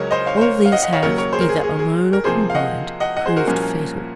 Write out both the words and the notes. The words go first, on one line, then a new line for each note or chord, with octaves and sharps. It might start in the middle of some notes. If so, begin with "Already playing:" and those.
All these have, either alone or combined, proved fatal.
Already playing: C#2 C#3 F#3 C#4 A#4 C#5
C5 D#5
C#5 F5
C5
A#4 C#5
F5
D#5 F#5
D#5 F#5
C#5 F5
D#2 C#3 F#3 A#4 C#5
A#4 C#5
G#4 C5
A#4
G#4
G#4
G#4
A#4
C3 F3 A#3 G#4 C5
F5
D#5 F#5
D#5 F#5
D#5 F#5
G#4 C5
F#4 A#4
C2 A#2 F3 A#3 C#4